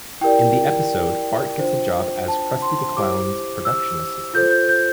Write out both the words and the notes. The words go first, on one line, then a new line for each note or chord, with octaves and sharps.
In the episode, Bart gets a job as Krusty the Clown's production assistant.
E4 G4 A#4 D5 G5
D4 F4 C5
A5
C6
E4 G4 C5 D6
E6
F4 A4 C5 G6
G6
G6